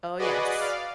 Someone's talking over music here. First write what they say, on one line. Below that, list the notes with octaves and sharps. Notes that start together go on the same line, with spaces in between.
Oh yes.
F#4 G#4 B4 D5 D#5
D5 F5